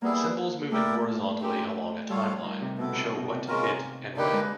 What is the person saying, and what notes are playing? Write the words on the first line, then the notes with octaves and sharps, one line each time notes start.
Symbols moving horizontally along a timeline show what to hit and when.
G3 A#3 B3 E4 G#4
A3 E4 G4 A#4 D5
G#3 C4 D#4 G4
G3 F4 A4 C#5 F5
F3
D#3
C3
B2 B3 E4 A4
C3
B2
C3
G#3 C#4 F4 A#4
D3 A#3 D#4 G4 B4
G#3